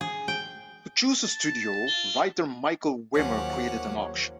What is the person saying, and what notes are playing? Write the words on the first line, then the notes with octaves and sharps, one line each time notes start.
To choose a studio, writer Michael Wimer created an auction.
G#4
G5
A5
D#2 F3 F#3 A#3 C#4 G4 C#5 F#5